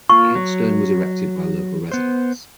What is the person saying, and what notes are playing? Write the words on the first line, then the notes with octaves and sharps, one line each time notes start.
The headstone was erected by local residents.
A#3 F4 C#6
F#3
B3 C5